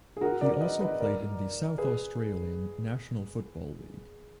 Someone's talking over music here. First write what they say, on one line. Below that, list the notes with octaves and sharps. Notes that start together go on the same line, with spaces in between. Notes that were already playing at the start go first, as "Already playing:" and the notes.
He also played in the South Australian National Football League.
G#4
F#4 A#4
A#4 D5
D5
B4 D#5
B4 D#5
A#4 D5
G#4 B4